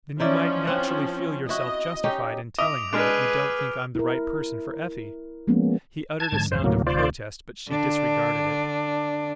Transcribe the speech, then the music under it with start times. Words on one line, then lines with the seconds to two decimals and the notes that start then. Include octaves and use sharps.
"Then you might naturally feel yourself justified in telling her that you don't think I'm the right person for Effie." He uttered a sound of protest, but she disregarded it.
0.20 F3 C#4 D#4 E4 D5
0.67 C4 F#5
1.49 E4 F#4 D#5
2.04 C#4 D#4 G4
2.58 D#5 E5 D6 D#6 D7 F7
2.93 G#3 D4 G#4 B4 F6 D7
3.95 E4 A#4
5.47 F3 G#3 A#3 B3 C#4
6.20 A5 G#6
6.32 G#2 D3 F3
6.52 G#1 F2 C5
6.64 D2 A2 C3 D#3 F#3 A#3
6.87 F4 C5 D5
7.68 D3 D4